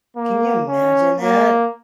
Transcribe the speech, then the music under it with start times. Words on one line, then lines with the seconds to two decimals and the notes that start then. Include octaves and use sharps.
Can you imagine that?
0.17 A#3
0.68 C#4
1.20 A#3